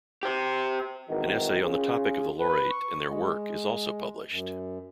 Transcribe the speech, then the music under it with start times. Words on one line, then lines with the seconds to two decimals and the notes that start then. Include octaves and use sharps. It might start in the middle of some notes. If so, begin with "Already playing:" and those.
An essay on the topic of the laureate and their work is also published.
0.23 G4 C5
1.08 G#1 D#3 E3 F#4 A#4
1.63 C#4 F4 G#4
2.40 B4
2.70 C#6
3.09 G#3
4.30 F#2